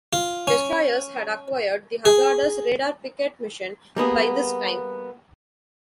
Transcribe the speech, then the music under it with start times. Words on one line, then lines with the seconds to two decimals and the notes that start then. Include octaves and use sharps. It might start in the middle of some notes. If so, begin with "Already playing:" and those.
Destroyers had acquired the hazardous radar picket mission by this time.
0.13 F4
0.47 C#4
2.05 G#4
3.96 G3 A#3 B3 G#4